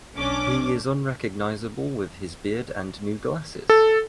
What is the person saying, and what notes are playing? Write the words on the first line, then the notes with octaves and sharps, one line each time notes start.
He is unrecognizable with his beard and new glasses.
B1 C#4 D4 D6
A4